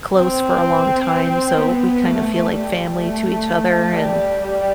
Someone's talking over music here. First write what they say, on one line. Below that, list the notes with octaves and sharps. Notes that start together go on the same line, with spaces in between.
close for a long time, so we kinda feel like family to each other, and,
C4
B3
A3
G3
A3
G3
G3